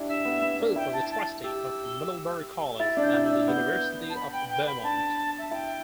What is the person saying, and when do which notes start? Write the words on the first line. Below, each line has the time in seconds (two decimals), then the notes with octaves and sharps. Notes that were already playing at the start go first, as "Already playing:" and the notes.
Foot was a Trustee of Middlebury College and the University of Vermont.
Already playing: D4 E4 G4
0.08 E5
0.25 B3
0.42 B3
0.60 D4
0.76 E4 G5
0.93 A5
1.10 A5
1.43 G4 E6
2.80 E4 A6
2.97 D4
3.02 G6
3.14 E4
3.25 E6
3.31 D4
3.48 B3 G6
4.09 A5
4.15 B5
4.33 G5
4.49 G5
4.66 B5
4.83 D4 A5
5.38 E5
5.51 E4 G5